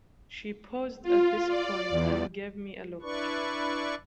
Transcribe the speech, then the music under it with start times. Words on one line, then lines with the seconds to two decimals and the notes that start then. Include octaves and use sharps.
She paused at this point and gave me a look.
1.03 F4
1.48 D5
1.90 E2
3.02 D4 E4 B4 D5 C#6